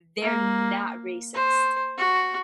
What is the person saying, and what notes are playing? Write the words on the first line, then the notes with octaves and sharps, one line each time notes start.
they're not racist.
A#3
C5
F#4